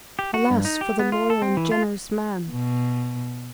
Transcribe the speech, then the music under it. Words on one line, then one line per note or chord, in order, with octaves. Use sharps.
Alas, for the loyal and generous man!
G4
F#4
G2
D#4
G4
B3
F4
A4
C4
E3
F4
B2